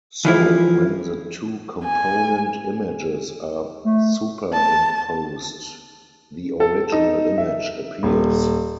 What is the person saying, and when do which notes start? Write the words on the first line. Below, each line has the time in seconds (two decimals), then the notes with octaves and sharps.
So, when the two component images are superimposed, the original image appears.
0.25 E3 F3 E4
1.86 G#5
3.85 A3
4.53 A5
6.60 A4
6.92 D#4
7.38 E5
8.03 D#1